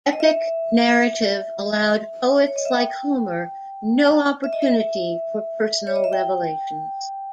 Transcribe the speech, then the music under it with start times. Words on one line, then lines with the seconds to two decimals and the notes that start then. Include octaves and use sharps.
Epic narrative allowed poets like Homer no opportunity for personal revelations.
0.13 D#5
0.20 E5
2.47 C#5
2.56 D#5
2.65 E5
2.73 G5
4.44 E5
4.53 D#5
4.62 E5
5.87 C#5
5.96 D#5
6.04 E5
6.13 G5